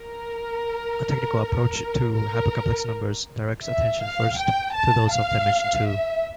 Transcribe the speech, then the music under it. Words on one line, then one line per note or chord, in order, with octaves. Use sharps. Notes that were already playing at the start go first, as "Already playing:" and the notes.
A technical approach to hypercomplex numbers directs attention first to those of dimension two.
Already playing: A#4
A#4
E5
F5
G5
A5
F5
E5